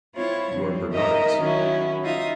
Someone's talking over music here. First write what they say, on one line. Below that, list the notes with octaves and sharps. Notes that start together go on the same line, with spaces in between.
"You are Bernard's."
C4 E4 F4 C#5
D3 F3 C4
D#4 A#4 D#5 E5 A#5
D#3 F#3 C#4 D#4 E4
D#4 F4 E5 F5 D#6